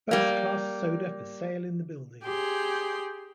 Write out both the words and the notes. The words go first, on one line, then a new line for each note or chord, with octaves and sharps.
First-Class Soda for sale in the Building.
G3 A#3
G4 G#4 C6